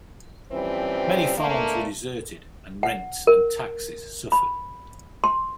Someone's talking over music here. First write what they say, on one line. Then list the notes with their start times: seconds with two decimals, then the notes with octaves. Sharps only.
Many farms were deserted and rents and taxes suffered.
0.52 E3 F3 G3 C4 C#4
1.36 B2 D3 A3 A#3
2.83 F#5
3.27 A#4
4.32 B5
5.24 C6